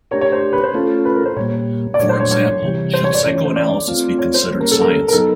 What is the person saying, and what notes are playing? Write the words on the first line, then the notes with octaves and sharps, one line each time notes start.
For example, should psychoanalysis be considered science?
A3 D4 G4 A#4 C#5
C#5
C5
B4
C5
A3 C#4 F4 A4
B4
A#4
C5
A#2 G3 A#3 C#5
D5
A#2 F#3 A3 D4 C#5
C5
C#5
C#5
C3 E3 G3
C5
C#5
D5
E3 A3 C#4 C#5
C#5
C5
D5
A3 C4 F4
C#5
C5
G3 A#3 C#4
A#4
A4
A#4
A#4
F#3 B3 D#4 A4